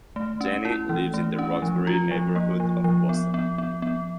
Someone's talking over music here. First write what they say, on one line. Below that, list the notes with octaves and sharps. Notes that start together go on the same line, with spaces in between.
Janey lives in the Roxbury neighborhood of Boston.
A3
C#4
E4
E3
A3
C#4
F3
F4
F3
A#3
F3
F3
B3
B3
B3
B3